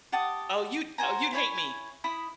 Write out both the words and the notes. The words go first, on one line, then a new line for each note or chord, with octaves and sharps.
oh, you'd oh, you'd hate me.
G4 F#5 A5 D#6
F#4 C5 G#5 A#5
E4 C#5 G#5 B5
E4 B5 D#6